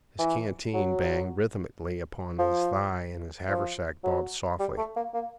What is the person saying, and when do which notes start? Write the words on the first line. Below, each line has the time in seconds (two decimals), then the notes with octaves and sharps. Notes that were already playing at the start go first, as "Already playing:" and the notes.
His canteen banged rythmically upon his thigh, and his haversack bobbed softly.
0.19 E3
0.74 F#3
2.39 F3
3.49 F3
4.04 F#3
4.60 G3
4.78 A3
4.96 A#3
5.14 A#3